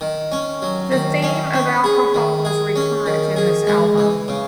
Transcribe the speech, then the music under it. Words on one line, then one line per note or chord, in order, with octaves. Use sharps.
The theme of alcohol is recurrent in this album.
D#3
C#4
F#3
D#3
C#4
C#4
G#4
D#3
G#4
C#4
D#3
G#4
G#3
E3
C#3